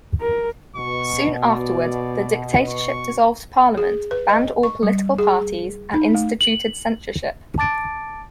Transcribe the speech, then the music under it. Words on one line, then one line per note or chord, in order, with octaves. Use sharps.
Soon afterward, the dictatorship dissolved parliament, banned all political parties and instituted censorship.
A#4
B2 C#6
D5
C#6
G#4
B4
D#5
C#6
G3
G#4
D#4
A3
F#7
A5 D6 A6 D7